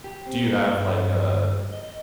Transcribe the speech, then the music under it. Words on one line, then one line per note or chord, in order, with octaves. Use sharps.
Do you have like a
G4
C4
A#3
G2
D#5